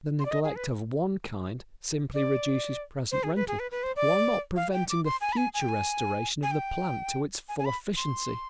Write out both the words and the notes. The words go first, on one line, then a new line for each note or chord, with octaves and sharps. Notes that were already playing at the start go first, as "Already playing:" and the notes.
The neglect of one kind simply reduces present rental while not preventing the future restoration of the plant to its full efficiency.
C6
D5
D#5
G#4
B4
D5
C5
G#4
B4
G#4
B4
B4
C5
D5
F5
G5
D6
C6
G#5
B5
G#5
G#5
G5
G#5
G#5
G5
G#5
G#5
B5
C6